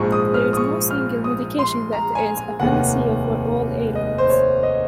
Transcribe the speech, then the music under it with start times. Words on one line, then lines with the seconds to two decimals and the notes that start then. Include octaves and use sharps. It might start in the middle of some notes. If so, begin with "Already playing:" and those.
There is no single Medication that is a Panacea for all ailments.
Already playing: A#1 G#2 F3 G#3 C#6
0.12 D#6
0.34 F6
0.53 D#6
0.57 C#6
0.91 F6
1.24 D#6
1.59 C6
1.92 A#5
2.15 G#5
2.37 G#5
2.60 F1 D#2 D#3 F#5
3.95 D#5
4.18 C5
4.30 C#5
4.63 D#5